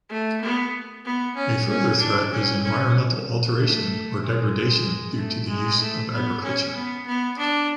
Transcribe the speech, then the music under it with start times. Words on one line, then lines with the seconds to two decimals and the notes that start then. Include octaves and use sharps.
A further threat is environmental alteration or degradation due to the use of agriculture.
0.10 A3
0.41 B3
1.05 B3
1.36 C#4
1.68 C#4
1.99 D4
2.31 C#4
2.63 C#4
3.59 A3
4.22 G#3
5.17 A3
5.48 G#3
5.80 A3
6.12 B3
6.43 C#4
6.75 B3
7.07 B3
7.38 D4